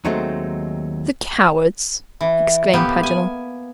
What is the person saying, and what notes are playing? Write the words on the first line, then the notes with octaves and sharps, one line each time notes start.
"The cowards!" exclaimed Paganel.
D#2 D#3 F#3 G#3 A3 C4
E3
A2 A#3 B3 G4
G#5